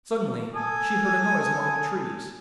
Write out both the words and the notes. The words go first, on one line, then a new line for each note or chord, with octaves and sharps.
Suddenly she heard a noise among the trees.
A4 G#5 D#6